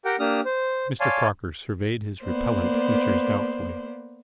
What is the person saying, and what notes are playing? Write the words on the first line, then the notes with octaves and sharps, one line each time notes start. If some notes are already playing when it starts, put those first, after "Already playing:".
Mr. Crocker surveyed his repellent features doubtfully.
G4 A#4 F#5 G5
A#3 D4 G4 D#6 F6
C5
C#5 D5 F5 G#5 A5 C6
A#3 B3 C5 D5